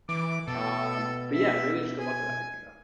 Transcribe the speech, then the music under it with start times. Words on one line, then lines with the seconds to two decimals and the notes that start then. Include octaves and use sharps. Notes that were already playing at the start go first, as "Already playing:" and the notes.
um, but, yeah, really, just good luck with everything, though.
0.09 E3 D6
0.48 B2 A4
1.34 E5
1.99 G#5